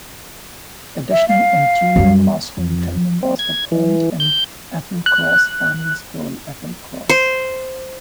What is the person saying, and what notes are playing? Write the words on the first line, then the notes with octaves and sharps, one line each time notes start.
Additional interior classroom filming was performed in Applecross Primary School, Applecross.
E5
F5
F#2 G3
F2
C4
G#6
E3
G6
F#6
C5